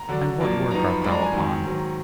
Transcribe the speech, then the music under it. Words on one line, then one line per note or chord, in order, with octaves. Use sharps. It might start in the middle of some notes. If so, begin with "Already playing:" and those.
'And what work art thou upon?'
Already playing: A#5
D3 F#3 D4
F#2 F3 A#3 D4
F#2 F3 B3 D#4 A#5
B5
F#2 F3 G#3 D4 B5
A#5
G#5
G#2 D#3 F#3
G#2 D#3 F#3